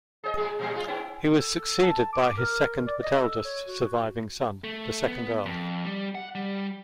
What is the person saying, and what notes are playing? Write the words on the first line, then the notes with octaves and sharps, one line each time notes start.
He was succeeded by his second but eldest surviving son, the second Earl.
G#4 C5 D#5
A2 G#3 G#4
A#2 C#3 G3
G#3 D#4 F4
B3 C#4 E4
A4
A5
D6
A#4
D5
D#5
A4
C#5
F#4
A3
B3
F2
G3
F#5
G3